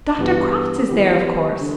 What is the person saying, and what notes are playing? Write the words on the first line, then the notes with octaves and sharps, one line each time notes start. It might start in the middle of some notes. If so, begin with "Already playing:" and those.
Dr. Crofts is there, of course.
G2 E3 B3 G4
E3 B3 G4
D3